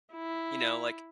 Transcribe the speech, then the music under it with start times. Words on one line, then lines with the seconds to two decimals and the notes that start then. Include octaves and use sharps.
you know, like,
0.12 E4